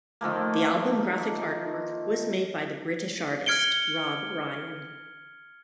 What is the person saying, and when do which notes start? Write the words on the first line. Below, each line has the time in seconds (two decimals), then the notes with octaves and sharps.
The album graphic artwork was made by the British artist Rob Ryan.
0.21 D#3 F3 A3 A#3
3.46 F6 G#6 C#7 D7 G7